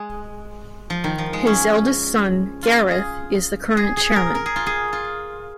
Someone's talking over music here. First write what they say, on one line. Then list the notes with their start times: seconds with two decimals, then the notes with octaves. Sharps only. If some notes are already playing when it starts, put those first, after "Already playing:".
His eldest son, Gareth, is the current chairman.
Already playing: G#3
0.90 F3
1.04 D#3
1.18 F3
1.33 G#3
1.47 C#4
2.63 F4
2.91 G#4
3.77 G#4
3.97 G#4
4.16 A#4
4.35 A#4
4.46 G#4
4.56 F4
4.66 G#4
4.93 F4